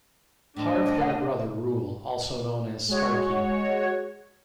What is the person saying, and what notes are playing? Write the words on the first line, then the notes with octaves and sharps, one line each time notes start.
Harve had a brother, Ruel, also known as "Sparkie".
A2 F3 D4 D#5
A#4 F#5
G#3 F#4 C#5